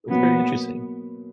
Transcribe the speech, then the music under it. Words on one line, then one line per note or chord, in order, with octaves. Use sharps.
That's very interesting.
B2 F#3 A#3 B3